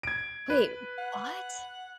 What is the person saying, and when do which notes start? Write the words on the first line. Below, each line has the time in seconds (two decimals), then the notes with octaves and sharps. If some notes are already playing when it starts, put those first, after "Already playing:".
Wait. What?
0.03 G#6 D7
0.50 B4
0.98 F#5